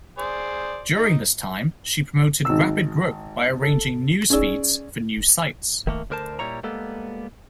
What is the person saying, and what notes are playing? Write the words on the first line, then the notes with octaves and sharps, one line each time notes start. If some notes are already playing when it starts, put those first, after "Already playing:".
During this time she promoted rapid growth by arranging news feeds for new sites.
G#4 C5 D5
D#4
G#1 E6
A4
C#4 G#4 D5 E6
D#3 A3 A#3
D2 D3 A#4 C5 A5
A#2 G3 E4 C#5 A#5
G3 G#3 A#3 B3 A4